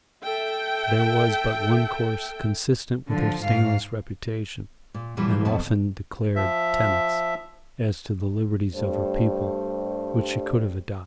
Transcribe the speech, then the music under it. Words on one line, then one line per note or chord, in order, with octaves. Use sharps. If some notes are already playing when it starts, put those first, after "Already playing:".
There was but one course consistent with her stainless reputation and often-declared tenets, as to the liberties of her people, which she could have adopted.
A4 E5 G5
D3 F3
G#2 F5
A#2
F#2 A#2 E3 F3 G3
F2 B2 F#3 A5
F3 E5
G2 G3 A3 C5